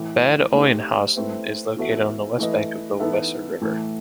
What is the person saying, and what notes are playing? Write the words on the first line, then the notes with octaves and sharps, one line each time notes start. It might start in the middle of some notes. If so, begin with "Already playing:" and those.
Bad Oeynhausen is located on the west bank of the Weser river.
Already playing: A2 E3 A3
A3 C4 D#4 G4 C5
A3 C4 E4 B4
E3 B3 F#4 A4 E5
E3 A3 E4 B4 D#5
E3 B3 D#4 A4 E5
A2 E3 A3